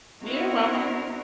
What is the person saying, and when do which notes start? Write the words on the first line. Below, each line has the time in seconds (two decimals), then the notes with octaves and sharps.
You're welcome.
0.24 B3 C4 D#4 E4 F#4 A#4